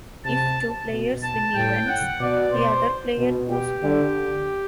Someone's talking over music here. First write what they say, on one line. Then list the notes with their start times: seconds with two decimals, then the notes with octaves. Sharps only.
If two players win events, the other player goes home.
0.25 C3 A5
0.91 B2
1.22 A5
1.55 A2 G5
1.87 F#5
2.20 B2 D5
2.52 C5
3.18 B2
3.51 G4
3.83 D3